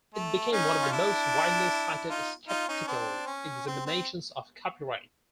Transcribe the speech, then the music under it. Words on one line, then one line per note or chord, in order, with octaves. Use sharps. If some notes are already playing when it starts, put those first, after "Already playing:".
It became one of the most widely cited skeptical examinations of copyright.
A3
C#4 D#4
F4
D4 E4
D#4 F4
D#4 F4
C#4 D#4
C4 D4
C#4
C4
C4